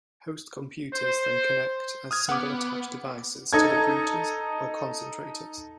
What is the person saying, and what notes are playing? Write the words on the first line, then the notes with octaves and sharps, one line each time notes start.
Host computers then connect as single-attached devices to the routers or concentrators.
C5
D#6 F6 G#6
B3 F#5 D6
D#4 A4 G#6